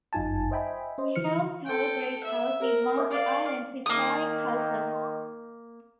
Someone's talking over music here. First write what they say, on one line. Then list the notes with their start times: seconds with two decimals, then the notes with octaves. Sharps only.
Halse Hall Great House is one of the island's historic houses.
0.13 G1 F#2 D#4 F4 G#5 A5
0.51 C5 D#5 E5 G5 G#5 B5
0.98 C#4 C5 D#5
1.16 D3 E3 F3 F6 C#7
1.66 A4 G5
2.24 E5
2.61 A#4
3.10 D5 F5
3.86 D#3 A#3 D#6